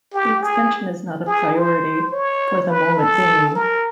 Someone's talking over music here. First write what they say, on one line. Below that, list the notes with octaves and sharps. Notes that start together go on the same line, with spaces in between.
The extension is not a priority, for the moment being.
G4
G#4
G#4
C5
C#5
B4
A4
A#4